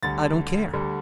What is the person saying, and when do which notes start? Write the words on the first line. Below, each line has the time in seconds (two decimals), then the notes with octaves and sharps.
I don't care!
0.03 D2 D3 G3 A6
0.73 D2 D3 G3